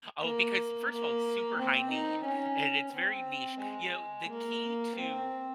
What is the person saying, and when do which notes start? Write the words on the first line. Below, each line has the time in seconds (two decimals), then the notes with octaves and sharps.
Oh, because first of all, it's super high need and it's very niche. You know, the key to
0.21 A#3
0.89 A#3
1.57 C4
1.91 D#4
2.24 C#4
2.93 C4
3.60 G#3
4.28 A#3
4.96 C4